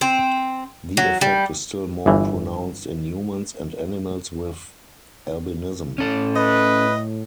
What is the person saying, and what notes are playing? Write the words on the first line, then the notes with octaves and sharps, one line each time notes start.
The effect is still more pronounced in humans and animals with albinism.
C4
F#3
G3
G1 E3
A2 C#4 A4
B4 D#5